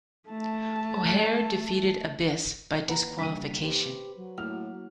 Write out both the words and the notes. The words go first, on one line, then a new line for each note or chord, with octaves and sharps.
O'Haire defeated Abyss by disqualification.
A3 A5
D#2 B4 F#5 A#5
C#3 G3 D4 B6 D#7
G4 B4 C5
F#3
A2 A#3 E4 F#5 F6